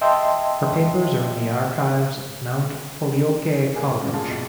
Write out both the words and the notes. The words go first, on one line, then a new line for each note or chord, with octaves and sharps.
Her papers are in the archives of Mount Holyoke College.
D#5 E5 G5 A5 C6 E6
A#3 G#4 A4 G#5
A#1
A#2 C#3
F4 G#4 F5 A5
A#1 B2